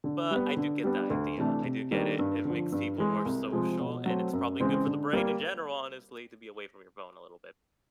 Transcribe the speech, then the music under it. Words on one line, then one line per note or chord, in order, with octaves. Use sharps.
but I do get the idea, I do get it, it makes people more social and it's probably good for the brain in general, honestly, to be away from your phone a little bit.
D3
G3 B3
D3
G3 B3 D4
D2
C3 E3 A3 D4
C3
D#3 G3 A#3 D4
G2
D3 F3
G2
E3 G#3
C2
C3 F3 G#3 C4
B2
F#3 A3 C4
F#2
C#3 E3 G#3 C4
D3
G3 A#3